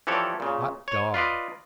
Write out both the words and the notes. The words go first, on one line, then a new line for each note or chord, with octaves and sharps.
Hot dog!
E3 F3 G4 A4 C#5 D5
A#2 C#3
C#5
F4 B4 D5 D#5